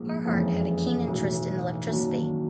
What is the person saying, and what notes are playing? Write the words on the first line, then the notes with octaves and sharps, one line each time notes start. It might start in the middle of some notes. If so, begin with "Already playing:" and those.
Carhart had a keen interest in electricity.
Already playing: A#1 G#2 F3 A#3
F#1 F2 C#3 E3 G#3
B1 A2 E3
F#2 D#3 F#3 A#3 D4